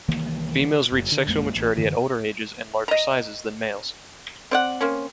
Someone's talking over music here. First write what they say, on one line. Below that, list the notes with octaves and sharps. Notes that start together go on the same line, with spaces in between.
Females reach sexual maturity at older ages and larger sizes than males.
C2 D#3 E3 A#3
F#1
D3
A#1 F#2 G#3 A#3
A1
F#2 D3 E3
D#5 A#5
C4 D5 F#5
A#3 C4 C#4